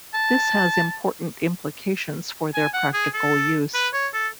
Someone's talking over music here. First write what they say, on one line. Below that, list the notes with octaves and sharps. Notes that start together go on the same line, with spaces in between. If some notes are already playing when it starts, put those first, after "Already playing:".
This has important implications for their practical use.
A5
G#5
F#5
G#4
A4
B4
C#5
A4